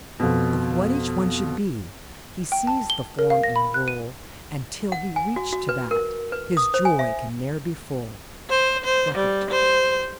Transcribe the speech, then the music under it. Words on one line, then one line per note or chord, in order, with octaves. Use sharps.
'Of what each one should be, he sees the form and rule, And till he reach to that, his joy can ne'er be full.' RUCKERT.
F2 B2
G5
A5
G7
A#4
F5
A#6
B5
F#6
D#7
F#5
G#5
F#4
F#4
B4
A#4
B4
D#6
C5
G#5
E5
C5
C5
G3
C5